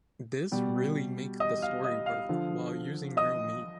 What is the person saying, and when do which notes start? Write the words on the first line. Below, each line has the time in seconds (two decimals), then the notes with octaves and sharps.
This really make the story work while using real meat.
0.52 B2 G3
1.40 D#5 D#6
1.62 F5 F6
1.84 D#5 D#6
2.06 F5 F6
2.29 D3 F3
3.17 D#5 D#6